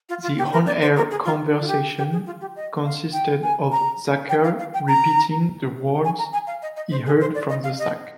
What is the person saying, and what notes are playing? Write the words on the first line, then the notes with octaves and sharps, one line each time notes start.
The on-air conversation consisted of Zacherle repeating the words he heard from the sack.
F4
F4
G4
A#4
D5
C5
A#4
G#4
F4
F4
G4
G4
G#4
F4
G4
D#5
F5
G5
G#5
A#5
G5
F5
F5
G5
A#5
G#5
A#5
G#5
F5
D#5
D#5
C5
G#4
C5
D5
D#5
F5
D#5